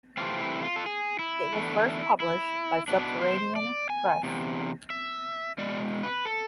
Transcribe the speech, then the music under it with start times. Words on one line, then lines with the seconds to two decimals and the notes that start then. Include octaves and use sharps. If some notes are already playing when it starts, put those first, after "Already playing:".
It was first published by Subterranean Press.
0.17 C3 E3 A3 C4 F4
0.41 E4
0.62 F4
0.76 A4
0.86 G#4
1.19 E4
1.53 E2 D3 A3
2.20 E4
2.88 B2 B3 D4
3.21 C5
3.56 D5
3.90 G#5
4.23 E2 C3
4.90 E5
5.58 B2 G#3 D5
6.03 B4
6.25 A4